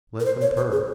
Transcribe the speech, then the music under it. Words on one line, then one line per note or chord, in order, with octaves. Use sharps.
Let them purr.
A#4
C5
C#5
C5
G#4